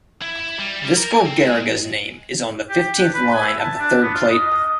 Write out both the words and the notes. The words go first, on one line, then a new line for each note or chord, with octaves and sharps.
Viscal Garriga's name is on the fifteenth line of the third plate.
E4
G3
G3
A#4
G#5
C4
G#3
G4
D4
B4
G#5
E5
A5
D4
B3
F4
D#5
D#5
D#5